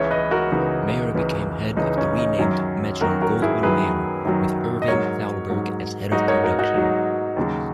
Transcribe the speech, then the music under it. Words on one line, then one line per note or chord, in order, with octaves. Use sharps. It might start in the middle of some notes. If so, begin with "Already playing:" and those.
Mayer became head of the renamed Metro-Goldwyn-Mayer, with Irving Thalberg as head of production.
Already playing: C#2 C#3 E3 C#5 E5
B4 D#5
F#4 A#4
C#2 C#3 E3 D#4
C#2 C#3 E3
C#2 C#3 E3 D#4
C#4
D#4
F#2 D#3 F#3 C#4
F#2 D#3 F#3 F#4 A#4
F#4 A#4
E4 G#4
F#2 D#3 F#3 G#4 B4
F#2 D#3 F#3
D#5
G#2 F#3 A#4 C#5
G#2 F#3
G#2 F#3 D#4 F#4
A#4 C#5
F#4 A#4
D#4 F#4
G#2 F#3
D#2 C#3 F#3